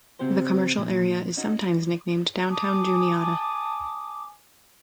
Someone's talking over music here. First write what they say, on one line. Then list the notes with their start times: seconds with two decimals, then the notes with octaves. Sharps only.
The commercial area is sometimes nicknamed downtown Juniata.
0.19 C#3 C4 F#4 G4 C5
0.77 A#2 F3 F#3
1.37 C#4 D#4 F#4 D#5
2.50 G#5 A5 D6 D#6